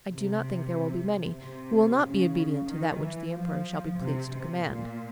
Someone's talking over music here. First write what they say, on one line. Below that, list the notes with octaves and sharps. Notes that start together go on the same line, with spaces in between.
I do not think there will be many who will not be obedient to that which the emperor shall be pleased to command.'
C3
C3
C#3
D#3
E3
F3
C3
C3
A#2